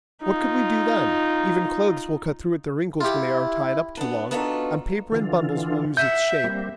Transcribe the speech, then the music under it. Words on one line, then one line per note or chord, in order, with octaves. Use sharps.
What could we do then? Even clothes will cut through at the wrinkles when they are tied up too long, and paper in bundles will lose its shape.
D#4 F4
E4 F4 G4
B3 D4
B3 D4 D#4 F4 F#4 A4
D3 E3 F4
E5 F#5 G6
G3 A#3 C4